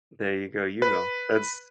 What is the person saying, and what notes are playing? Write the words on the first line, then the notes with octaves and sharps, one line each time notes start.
There you go, you know. That's
B4